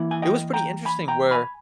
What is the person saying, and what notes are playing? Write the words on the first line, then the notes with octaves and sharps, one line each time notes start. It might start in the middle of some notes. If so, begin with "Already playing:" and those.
it was pretty interesting where
Already playing: E3 A#3 E4
G#5
D#5 G5
G5 A#5
G#5 B5
G5 A#5
G#5 B5